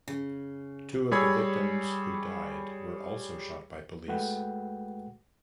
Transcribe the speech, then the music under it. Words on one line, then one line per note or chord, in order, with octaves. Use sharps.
Two of the victims who died were also shot by police.
C#3
G3 G#4 C#5 B5 E6 G#6
G#3 A3 F#4 B4 F#5 G5